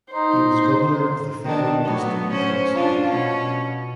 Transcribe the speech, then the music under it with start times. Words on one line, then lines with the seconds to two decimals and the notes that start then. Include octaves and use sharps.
He was governor of the Federal District of Mexico.
0.10 D#4 C5
1.44 D#3 D4
1.83 F#3 A3 B3
2.31 C#4 C5
2.73 D4 F4
3.10 B2 C#4